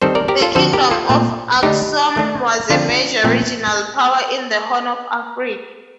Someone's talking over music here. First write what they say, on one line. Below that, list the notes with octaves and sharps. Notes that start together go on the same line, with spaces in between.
The Kingdom of Aksum was a major regional power in the Horn of Africa.
D#3 G3 C4 A4 C5
A#4 D5
G4 A#4
F4 A4
D3 F3 C4 A4 C5
G4 A#4
F4 A4
A#2 A3 C4
D3 A3 D4 D#4 G4
D#3 A3 D4
D3 F3 C4 D4 F4
A#2 F3 A3 C4